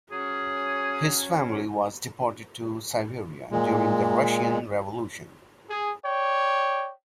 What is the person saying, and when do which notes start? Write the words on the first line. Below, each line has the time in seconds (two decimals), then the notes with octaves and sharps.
His family was deported to Siberia during the Russian Revolution.
0.12 F#3 C#4 G#4
3.52 A#2 G#3
5.69 G#4
6.05 C#5 D5 G5